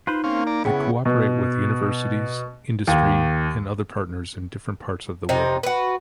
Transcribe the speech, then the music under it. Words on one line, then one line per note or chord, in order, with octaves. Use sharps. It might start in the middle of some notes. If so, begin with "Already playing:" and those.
They cooperate with universities, industry, and other partners in different parts of the world.
D#4 F4 B4 C5
A#3 C4 C#4 F5
D5 A#5
C#3 B3 E4 G#4 F#5 G5
B2
D#2
C3 D#4
F#4 B4